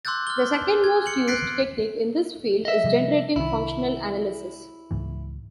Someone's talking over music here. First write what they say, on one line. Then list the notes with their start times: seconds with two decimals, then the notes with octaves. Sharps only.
The second most used technique in this field is generating functional analysis.
0.05 C6 D6 E6 F#6 G6 A6
0.27 F6 G7
0.84 G#6
1.06 C#7 F#7
1.28 F#6 A6 B6 C7 D7
2.65 D#5 E5
2.84 C3 F3 G3
3.36 C2 D#3 E4
4.91 C#2 G#2 E3